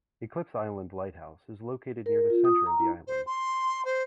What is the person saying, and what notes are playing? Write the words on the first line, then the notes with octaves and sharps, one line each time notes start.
Eclipse Island Lighthouse is located near the centre of the island.
A#4
F4
D#6
A#5
E4
C5
C6
C5